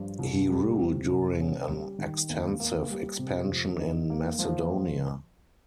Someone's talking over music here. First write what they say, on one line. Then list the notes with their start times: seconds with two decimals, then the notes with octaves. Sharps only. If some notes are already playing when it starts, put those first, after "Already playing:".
He ruled during an extensive expansion in Macedonia.
Already playing: G2 F3
0.19 C2
0.49 G3
0.79 C3
1.09 C2
1.40 C#4
1.69 G3
1.99 D#3
2.29 D#2
2.60 A#3
2.89 G3
3.19 C3
3.50 F2
3.80 D#4
4.10 A#3
4.39 F3